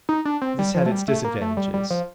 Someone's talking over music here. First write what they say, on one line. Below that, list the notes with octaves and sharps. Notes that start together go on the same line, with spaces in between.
This had its disadvantages.
D#4
D4
C4
G3
F3
A3
G3
A3
A#3
A3
G3
G3
F3